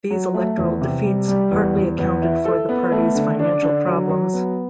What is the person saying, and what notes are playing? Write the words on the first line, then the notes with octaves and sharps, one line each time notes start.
These electoral defeats partly accounted for the party's financial problems.
F#3
A3
E2
C3
G3
G3
E2
E2
E2
E4
A4
B3
A3
D3
D4
D3
F#3
F#3
B3